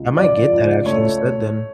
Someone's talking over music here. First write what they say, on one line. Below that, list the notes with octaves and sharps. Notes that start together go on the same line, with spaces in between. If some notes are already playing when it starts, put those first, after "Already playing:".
I might get that actually instead then,
Already playing: C#2
F3 D5
C#2
A3 C#5